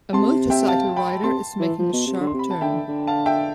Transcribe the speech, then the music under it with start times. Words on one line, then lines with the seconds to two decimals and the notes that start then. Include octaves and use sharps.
A motorcycle rider is making a sharp turn.
0.13 C3 A5 C6
0.50 E5 G5
0.68 F5 A5
0.96 G5 B5
1.23 C3 A5 C6
1.60 E3
1.79 F3
1.93 B2
2.07 C3
2.20 D3
2.27 C6
2.34 C3
2.39 B5
2.51 A5
2.61 D3 E5 G5
2.88 D3
3.07 F5 A5
3.26 E5 G5